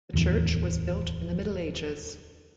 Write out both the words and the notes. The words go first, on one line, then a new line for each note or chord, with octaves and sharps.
The church was built in the Middle Ages.
D1 E2